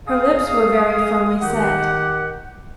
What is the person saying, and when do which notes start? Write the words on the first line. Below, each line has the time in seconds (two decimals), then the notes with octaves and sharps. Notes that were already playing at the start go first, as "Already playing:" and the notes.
Her lips were very firmly set.
0.08 G#4 F5 D#6
1.41 D#3 G4 F#5